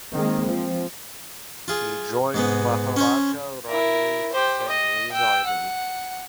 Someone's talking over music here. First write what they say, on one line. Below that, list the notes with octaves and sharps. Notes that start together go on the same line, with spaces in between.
He joined Maharaja Ranjit Singh's army.
D#3 G#3 A#3 C4
F3
F4 G#4
G#2 G#3 B3
C#4 C5 C#5
E4 A#4
G4 C5
D#5
G5 E6
F#5